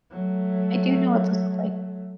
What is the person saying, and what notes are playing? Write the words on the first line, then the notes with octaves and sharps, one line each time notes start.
I do know what those look like.
F#3 A3